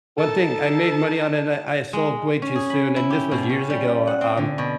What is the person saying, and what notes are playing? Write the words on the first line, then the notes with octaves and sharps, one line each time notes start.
one thing I made money on, and I I sold way too soon, and this was years ago um,
D#4 A4 A5
G#3
C#4
G#4
B5
E4
G4
B2
C#4
G3
F#5
C4
D3
B2